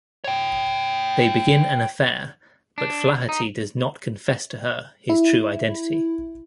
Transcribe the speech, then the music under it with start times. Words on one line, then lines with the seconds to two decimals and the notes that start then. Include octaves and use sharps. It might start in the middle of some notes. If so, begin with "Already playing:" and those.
They begin an affair, but Flaherty does not confess to her his true identity.
0.24 C#5 G5
2.78 D4
3.29 D#4
5.09 E4